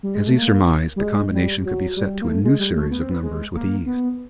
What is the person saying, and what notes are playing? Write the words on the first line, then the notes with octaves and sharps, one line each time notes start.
As he surmised, the combination could be set to a new series of numbers with ease.
G3
G#3
A3
A#3
G3
G#3
G3
F#3
G3
A#3
A3
G#3
G3
A3
B3
C4
B3
G#3
A#3
B3